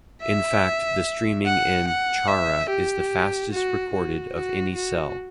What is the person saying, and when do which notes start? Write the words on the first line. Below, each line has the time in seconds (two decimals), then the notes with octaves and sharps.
In fact the streaming in "Chara" is the fastest recorded of any cell.
0.22 E5
1.46 F#5
1.88 F#5
2.28 E5
2.70 G4
3.52 F#4
3.93 F#4
4.35 F#4
4.76 F#4